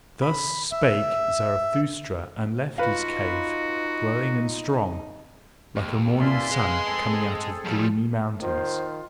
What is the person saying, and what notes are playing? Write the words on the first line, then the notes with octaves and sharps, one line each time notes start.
Thus spake Zarathustra and left his cave, glowing and strong, like a morning sun coming out of gloomy mountains.
B5
E5
D#4 F4 F#4 B4 F5
D#2 G#2
F4 B4 D5 E5 G#5 C6
G#3 F5 F#6
C4 G#4 A4
F3 G3
D#3 F4 C5